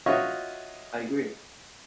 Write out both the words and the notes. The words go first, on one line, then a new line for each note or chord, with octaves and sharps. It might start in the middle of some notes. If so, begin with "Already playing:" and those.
I agree.
F4 F#4 C#5 D#5 E5